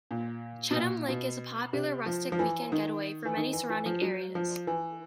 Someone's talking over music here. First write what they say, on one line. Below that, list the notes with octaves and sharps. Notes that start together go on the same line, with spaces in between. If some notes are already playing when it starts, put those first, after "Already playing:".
Cheatham Lake is a popular rustic weekend getaway for many surrounding areas.
A#2
B2
A#2
B2
C3
F3
F3
E3
D#3
E3
D#3
E3
E3
F3
F#3
F3
E3